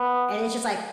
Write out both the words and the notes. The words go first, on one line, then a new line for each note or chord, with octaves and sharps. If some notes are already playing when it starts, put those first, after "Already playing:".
And it's just, like,
Already playing: B3